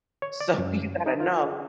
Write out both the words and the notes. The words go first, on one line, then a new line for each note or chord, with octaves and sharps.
So you gotta know
C#5
D5
F#2
D#4
F4